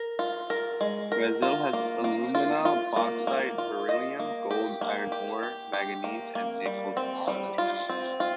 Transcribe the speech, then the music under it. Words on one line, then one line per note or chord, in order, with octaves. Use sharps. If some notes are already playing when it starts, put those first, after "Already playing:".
Brazil has alumina, bauxite, beryllium, gold, iron ore, manganese, and nickel deposits.
Already playing: A#4
F4
A#4
G#3
A#4
F4
A#3
A#3
F4
F4
A#3
A#3
F4
D#5
A#3
G4
A#3
G4
G4
G4
A#3
A#3
G3
C4
G3
F4
C4
F4